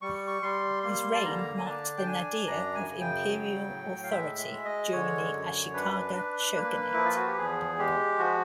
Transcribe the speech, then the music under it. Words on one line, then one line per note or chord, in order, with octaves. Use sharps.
His reign marked the nadir of Imperial authority during the Ashikaga shogunate.
G3 C#6
C#6
G3 C6
A#3 C6
A5
D3 A#5
G#5
D4 A5
G5
D4 G#5
F#2 A#5
G#5
C#3
G5
F#3
A2
F5
G#3 E5
E5
G#3
D#5
D3 C#5
F#2
D4 B4
D4
A#3
F3 E4
F4
F#4
G4
E2 G#4
G#3 G4
F3 F#4